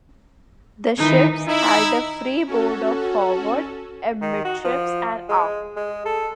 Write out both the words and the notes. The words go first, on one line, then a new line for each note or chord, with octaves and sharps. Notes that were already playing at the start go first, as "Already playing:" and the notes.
The ships had a freeboard of forward, amidships, and aft.
D#3 E3 D#4
D#4 E4
C#4 F#4 A4
D#3
F#4
F3
G#3
G#3
A4